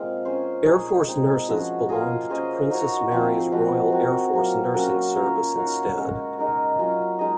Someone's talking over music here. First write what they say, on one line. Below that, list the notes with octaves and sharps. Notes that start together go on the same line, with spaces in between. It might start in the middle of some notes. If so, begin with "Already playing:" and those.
Air Force nurses belonged to Princess Mary's Royal Air Force Nursing Service instead.
Already playing: G#3 A#3 C4 F4 A#4
C#4 G#4 C5
D#4 G#4 C#5
G#3 C4 D#4
F3 G#3 C#4 F#4
A#3 F4 G#4 D#5
C#4 G#4 C5 D#5
D#4 F#4 C#5
F3 C4 F4 C5
F3 G#3 C4 F#4
C4 F#4 A#4 C#5
F#3 A#3 F4
A#3 C#4 F#4 A#4
C#4 F4 A#4 C#5
D#4 F#4 C#5 F5
G#3 C#4 F#4 A#4
G#3 D#4 A#4 C#5
F#3 C#4 F4
G#3 D#4 G#4 D#5